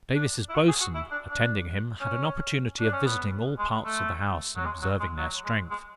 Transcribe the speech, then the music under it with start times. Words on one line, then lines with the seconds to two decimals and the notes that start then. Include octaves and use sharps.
Davis's boatswain attending him, had an opportunity of visiting all parts of the house, and observing their strength.
0.15 D4
0.49 E4
0.54 F#4
0.68 G#4
0.81 F#4
0.94 E4
1.11 D4
1.30 D4
2.00 C#4
2.80 D4
2.93 C#4
3.05 B3
3.59 G#3
3.85 A3
4.57 F#3
4.65 G#3
4.82 F#3
5.00 G#3
5.17 F#3
5.45 G#3
5.71 G#3